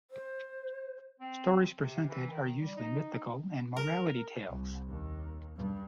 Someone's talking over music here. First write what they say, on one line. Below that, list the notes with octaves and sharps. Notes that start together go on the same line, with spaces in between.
Stories presented are usually mythical and morality tales.
C5
C4
C3
E3
D#3
G3
D#4
A#4
C2
D#2
G2